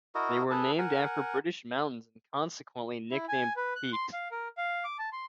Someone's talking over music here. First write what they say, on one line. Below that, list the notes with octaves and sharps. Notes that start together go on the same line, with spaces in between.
They were named after British mountains, and consequently nicknamed Peaks.
E4 F#4 A#4 D#5
G#4 A4 B4 A5
A#4 F#5 G#5
E4
G#5
B4
F#6
C6
F5
A#4
F5
D6
A5
C6